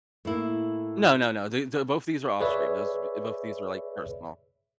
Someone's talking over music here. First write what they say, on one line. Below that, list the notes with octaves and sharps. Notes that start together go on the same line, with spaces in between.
No, no, no, the the both these are off-stream, those e both of these were, like, personal.
A2 A#3 E4
G#4 B4 C#5 D5 E5